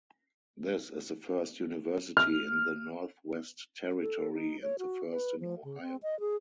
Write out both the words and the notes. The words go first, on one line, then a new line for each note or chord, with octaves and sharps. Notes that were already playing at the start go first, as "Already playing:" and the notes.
This is the first university in the Northwest Territory and the first in Ohio.
F6
A4
D#4
C#5
F#4
B4
F3
C#3
C4
D#5
G#4